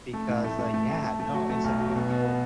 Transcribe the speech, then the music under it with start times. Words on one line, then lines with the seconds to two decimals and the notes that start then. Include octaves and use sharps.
because, uh, yeah, no, it's a beautiful
0.13 A3
0.29 A2
0.44 A3
0.59 A3
0.74 A3
0.89 A3
1.04 A3
1.20 A3
1.34 F#3
1.50 A3
1.64 B1
1.79 F#3
1.95 B2
2.10 B2
2.25 B3